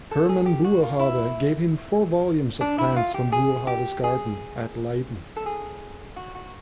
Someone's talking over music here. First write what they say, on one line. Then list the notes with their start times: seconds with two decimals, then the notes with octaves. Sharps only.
Herman Boerhaave gave him four volumes of plants from Boerhaave's gardens at Leiden.
0.11 A4
0.29 G#4
0.46 G4
0.64 F#4
0.82 F4
0.99 E4
2.61 D4
2.78 E4
2.96 F4
3.14 G4
3.32 G#4
3.67 G4
4.04 G#4
5.36 A4
5.46 G#4
6.16 F#4
6.35 F#4